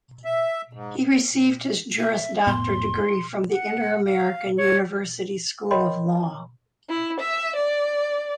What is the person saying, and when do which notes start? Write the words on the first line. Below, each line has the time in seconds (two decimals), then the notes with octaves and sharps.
He received his Juris Doctor degree from the Interamerican University School of Law.
0.25 E5
0.73 G#2
1.99 E5
2.47 F1 A2 B3 C6
3.51 F#5
4.06 F5
4.58 C#5 G#6
5.71 A#4 C#5 D#5 G5 B5 C6
6.88 E4
7.19 E5
7.54 D5